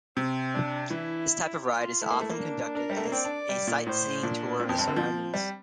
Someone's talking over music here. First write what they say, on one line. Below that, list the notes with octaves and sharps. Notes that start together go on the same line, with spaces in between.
This type of ride is often conducted as a sightseeing tour of the surroundings.
C3 C4
D4
E3 E4
F4
A3 E4
A#3
A3
A#3
D4
D4 A#4
G3
A3
A#3
C4 D5
D4
G3
A#2
A2 C5
A#2 D4
A#2 C4
F2
G2
D3
F3
G3